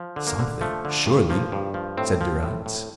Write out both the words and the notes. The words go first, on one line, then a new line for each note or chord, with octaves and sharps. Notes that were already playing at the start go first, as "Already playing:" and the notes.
"Something, surely," said Durrance.
Already playing: F3
D3
A#3
D3
F3 A3
D3
G2
F3 A#3
G2
F3
A2 C4
F3
A2
A2